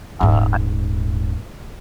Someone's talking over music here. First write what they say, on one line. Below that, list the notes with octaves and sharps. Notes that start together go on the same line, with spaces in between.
Uh, I
D#1 G#2